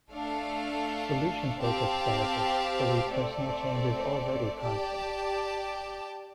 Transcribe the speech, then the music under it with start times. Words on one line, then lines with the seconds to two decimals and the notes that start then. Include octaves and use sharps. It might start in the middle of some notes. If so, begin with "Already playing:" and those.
Solution focused therapists believe personal change is already constant.
0.11 A3 D4 A4 F5
1.61 C4 G4 F5 A5
3.11 A3 C4 A4 D5
4.60 G4 D5 A5